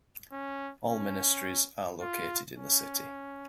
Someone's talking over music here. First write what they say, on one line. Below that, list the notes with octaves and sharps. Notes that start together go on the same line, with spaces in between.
All ministries are located in the city.
C#4
C#4
F4
C#4